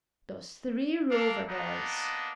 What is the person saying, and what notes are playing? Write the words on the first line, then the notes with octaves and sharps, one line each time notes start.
"Those three Rover boys."
A#3 D4 A4 F5
A#3 B3 D4 D#4